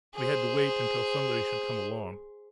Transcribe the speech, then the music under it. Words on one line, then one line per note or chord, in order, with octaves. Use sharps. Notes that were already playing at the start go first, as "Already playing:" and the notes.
We had to wait until somebody should come along.
G#4 C5